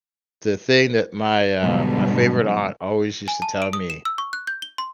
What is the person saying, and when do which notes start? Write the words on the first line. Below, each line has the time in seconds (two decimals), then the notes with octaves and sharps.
the thing that my, uh, my favorite aunt always used to tell me.
1.62 G#2 B2 D3 F#3 G3
3.28 G#5
3.42 A5
3.62 D7
3.73 D#6
3.90 E7
4.05 E6
4.18 C#6
4.33 F#6
4.47 G6
4.62 G7
4.78 C6